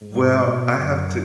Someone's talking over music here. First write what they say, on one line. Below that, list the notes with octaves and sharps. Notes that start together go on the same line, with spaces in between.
Well, I have to
G#2
B2
F#2